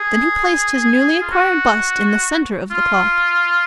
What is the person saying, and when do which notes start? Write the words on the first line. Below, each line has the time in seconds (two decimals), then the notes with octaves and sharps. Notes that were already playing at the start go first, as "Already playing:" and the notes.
Then he placed his newly acquired bust in the centre of the cloth.
Already playing: G#4
1.22 F4
1.31 F#4
2.71 F4